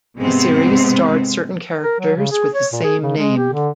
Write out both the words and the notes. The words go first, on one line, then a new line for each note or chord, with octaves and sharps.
The series starred certain characters with the same name.
G#2 C3 G#3 B3 C4
A#4
F#3
C#3
G#4
C#5
A#2
G#4
C#3
G#3
G4
D3